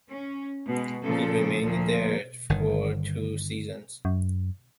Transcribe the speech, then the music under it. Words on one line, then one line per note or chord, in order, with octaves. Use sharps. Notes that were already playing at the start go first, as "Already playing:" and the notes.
He remained there for two seasons.
C#4
B2 G#3
A#2 C#3 F3 A4
D2 A#2 F3
G1 D#3
F#2